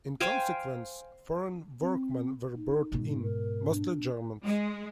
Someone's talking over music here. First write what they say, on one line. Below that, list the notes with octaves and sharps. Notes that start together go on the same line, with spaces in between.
In consequence, foreign workmen were brought in - mostly Germans.
C5 F5 G5 G#5
C4
D#4
G#2 B2
A#4
D4
G#3